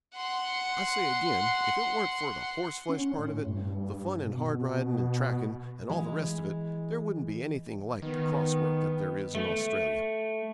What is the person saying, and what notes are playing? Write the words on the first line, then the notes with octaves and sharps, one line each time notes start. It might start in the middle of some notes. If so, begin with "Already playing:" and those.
I say again, if it weren't for the horse-flesh part of it, the fun and hard-riding and tracking, and all the rest of it, there wouldn't be anything like the cross-work that there is in Australia.
F#5 C6
C#4
A2
G2
B2
E3 G#3
D#3 B3
A3